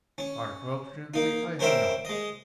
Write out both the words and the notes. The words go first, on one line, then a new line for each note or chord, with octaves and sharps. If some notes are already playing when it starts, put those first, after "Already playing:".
"Unfortunately, I have not."
C#4
A#3 D#4
C#4 A#4 C5 E5 G5
G#3 D#5